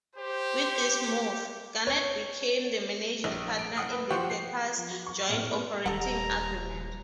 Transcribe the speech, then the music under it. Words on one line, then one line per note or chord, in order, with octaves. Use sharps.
With this move, Gannett became the managing partner in the papers' joint operating agreement.
G4 C5
C#5
A#1
D7
F#1 F#5 D#6 F6
B4
F3 G4 C5 F#5 C#6
C7
F3
F#4
F#3 C#6
A2 C4 E4 G#4 F6 F#7
A#3 G4 B4
D#1 G3 A4 F#5 A#5